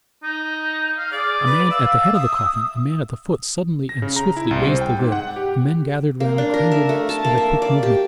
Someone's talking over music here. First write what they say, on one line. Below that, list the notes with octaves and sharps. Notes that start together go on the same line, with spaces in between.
A man at the head of the coffin, a man at the foot suddenly and swiftly raised the lid: the men gathered round craned their necks with a quick movement.
D#4
F5
G#4 D5
B4
E5 F5
D#6
A#6
C#3
A#5
E4
C2
C5
G5
G#2
F#5
G4
A#3
D4
A#4
E5
A3
A5
A#3
E5
D5
G4